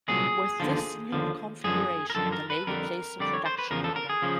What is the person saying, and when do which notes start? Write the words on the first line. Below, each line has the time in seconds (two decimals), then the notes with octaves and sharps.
With this new configuration, the Navy placed a production order.
0.08 C2 A#2 F#3 G#4
0.60 D#2 D3 F3
1.12 D#2 D3 F3
1.64 F#2 D3 F3 G#4
2.10 A#4
2.15 F#2 D3 F3 A4
2.32 A#4
2.50 B4
2.67 F2 D3 G3 A#4
3.19 F2 D3 G3 D5
3.34 C#5
3.46 C5
3.58 B4
3.71 E2 C#3 F3 A#4
3.84 A4
3.96 A#4
4.10 G#4
4.22 C#3 F3